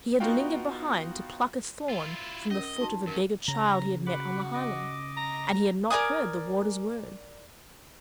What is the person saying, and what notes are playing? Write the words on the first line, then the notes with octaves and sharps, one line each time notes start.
He had lingered behind to pluck a thorn from the foot of a beggar child he had met on the highway, and he had not heard the Warder's words.
B3 D#4 F4 F#4 F5 G5
E4 F4
C#4 A#4 D#5
D#4 F#4 A5
F#2 C#4 A#4
C#3 A#5
F#4 F#5 B5 D6
D#5 D6
A#5
A#4 D5 G#5 D#6